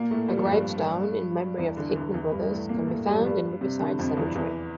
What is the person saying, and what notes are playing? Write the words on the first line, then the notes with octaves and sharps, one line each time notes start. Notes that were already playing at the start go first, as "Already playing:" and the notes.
A gravestone in memory of the Hickman brothers can be found in Riverside Cemetery.
Already playing: A#2 A#3
A2 A3
G3
F3
G2 G3
E2 E3
D3
E3
D3
E2 E3
G2 G3
A2 A3
A#2 A#3
A2 A3
G2 G3
F3
G2 G3
C3
D3
F2 F3
E2 E3
E2 E3